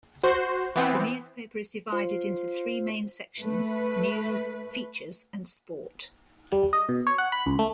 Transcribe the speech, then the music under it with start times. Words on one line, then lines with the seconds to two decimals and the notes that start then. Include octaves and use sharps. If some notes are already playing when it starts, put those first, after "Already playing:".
The newspaper is divided into three main sections - news, features and sport.
0.23 F#4 C5
0.76 E3 B3 C4
1.92 F4 C5
3.41 A3 B4
6.52 G3
6.73 D#5
6.89 B2
7.07 C#5
7.18 F#5
7.32 B5
7.46 C#2
7.59 A3